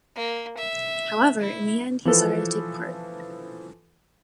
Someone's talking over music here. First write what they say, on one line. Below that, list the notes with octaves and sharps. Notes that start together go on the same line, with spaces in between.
However, in the end he decided to take part.
A#3
E5
E4
E3 F3 A4 B4